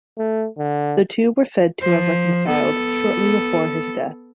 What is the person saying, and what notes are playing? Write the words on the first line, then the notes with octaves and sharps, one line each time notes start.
The two were said to have reconciled shortly before his death.
A3
D3
F3 C5
B3 A4